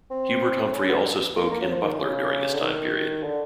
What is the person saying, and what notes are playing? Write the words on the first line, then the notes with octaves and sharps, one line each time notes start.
Hubert Humphrey also spoke in Butler during this time period.
C4
C#4
B3
A#3
A#3
F#3
F3
D#3
C#3
D3
D#3
D3